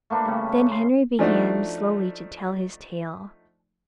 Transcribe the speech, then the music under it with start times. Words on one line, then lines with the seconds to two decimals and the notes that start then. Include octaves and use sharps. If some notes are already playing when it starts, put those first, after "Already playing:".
Then Henry began slowly to tell his tale.
0.10 A3 A#3 D4 B4
0.25 C#3 G3
0.72 C6
1.19 F3 A3 D4 D#4 F#4